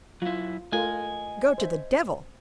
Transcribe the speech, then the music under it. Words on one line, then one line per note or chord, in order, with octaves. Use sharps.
Go to the devil!
F#3 E4 F4
A3 F4 A#4 D#5 G#5
C5 E5